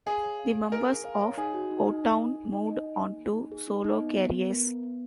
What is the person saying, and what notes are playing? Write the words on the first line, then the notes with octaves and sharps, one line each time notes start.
The members of O-Town moved on to solo careers.
G#4 F5
C#5
F5
F5
G#4 A#4
G#4
F5
C#5
D#4 G#4
F#4
D#4
D#4
D#4
D#4
D#4
D#4
D#5
D#4
A#3
A#3
D#4
G#4
D#4
D#4
B3
B3
B3
A#4
B3
B3